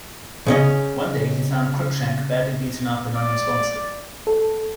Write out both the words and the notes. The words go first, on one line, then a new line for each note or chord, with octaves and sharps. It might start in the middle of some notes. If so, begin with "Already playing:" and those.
One day he found Crookshank badly beaten up and unresponsive.
C#3 C#4 D#5
D5
A4